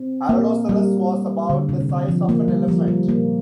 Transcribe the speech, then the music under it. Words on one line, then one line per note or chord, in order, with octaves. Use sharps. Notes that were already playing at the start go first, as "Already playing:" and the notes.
"Aralosaurus" was about the size of an elephant.
Already playing: C4
A#3
G3
D3
C3
C3
D3
F3
A#3
G3
F3
G3
A#3